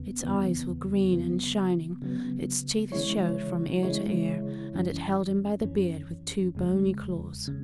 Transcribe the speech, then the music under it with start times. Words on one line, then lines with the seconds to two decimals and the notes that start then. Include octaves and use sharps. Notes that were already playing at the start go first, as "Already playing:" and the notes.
Its eyes were green and shining, its teeth showed from ear to ear, and it held him by the beard with two bony claws.
Already playing: E2 C#3 B3
0.21 E2 C#3 E3 B3
1.11 C#3 F#3 B3
2.02 C#3 F#3 B3
2.92 C#3 E3 G#3 E4 C#5
3.83 C#3 E3 G#3 E4 C#5
4.73 F#2 E3 C#4
5.64 F#2 E3 C#4
6.55 E2 C#3 G#3
7.48 C#3